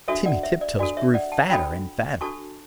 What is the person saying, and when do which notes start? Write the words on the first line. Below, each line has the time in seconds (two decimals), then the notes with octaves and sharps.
Timmy Tiptoes grew fatter and fatter!
0.08 D4 F#4 A4 C#5 E5
0.26 D5 F#5
0.43 C#5 E5
0.61 D5
0.79 D4 F#4 A4 D5
0.97 C#5 E5
1.14 D5 F#5
1.32 F#5 A5
1.50 D4 F#4 A4 G5 B5
2.21 D4 F#4 A4 A5 C#6